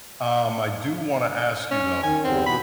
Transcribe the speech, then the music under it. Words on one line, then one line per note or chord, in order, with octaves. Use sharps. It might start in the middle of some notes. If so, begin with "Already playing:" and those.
um, I do wanna ask you, though,
C#4
D#3 G#5
E2 G2 D3 C4
B2 E3 B3 B5